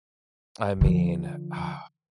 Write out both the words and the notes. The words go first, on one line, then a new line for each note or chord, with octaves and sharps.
I mean, uh
D3 F3